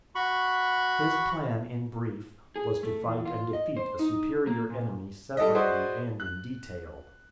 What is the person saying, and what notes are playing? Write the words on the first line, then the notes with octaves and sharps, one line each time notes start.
His plan, in brief; was to fight and defeat a superior enemy separately and in detail.
F#4 B5 C#6
G#4
A3
E2
F4
D#5
C5
D#4
A#3
A#2
G3 A4 D5 D#5
F#4 G#4 B4 C5 D5 D#5
F#6